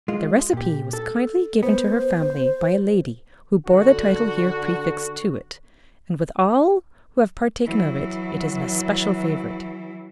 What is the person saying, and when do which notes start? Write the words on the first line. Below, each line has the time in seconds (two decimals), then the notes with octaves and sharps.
The recipe was kindly given to her family by a lady who bore the title here prefixed to it; and with all who have partaken of it, it is an especial favourite.
0.08 G#3 F4
0.53 A#2 G4
0.93 A4
1.63 B3 C5
3.67 D3 F#4
7.65 E3 F#3